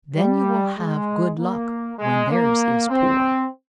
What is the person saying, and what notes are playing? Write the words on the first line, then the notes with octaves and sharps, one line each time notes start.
Then you will have good luck when theirs is poor.
G3
G#3
A#3
G#3
A#3
C4